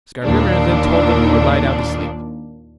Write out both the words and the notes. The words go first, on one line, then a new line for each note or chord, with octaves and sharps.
Skrymir then told them he would lie down to sleep.
D#2 A#2 D4